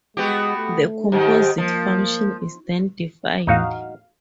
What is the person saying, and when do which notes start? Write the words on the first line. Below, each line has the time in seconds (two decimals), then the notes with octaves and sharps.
The composite function is then defined.
0.17 G#3 B3 F#4 G4
0.57 A3
1.12 G#2 C3 D#3 G4
1.58 F3 A#3
3.47 E2 A2 D#4 F#4 F5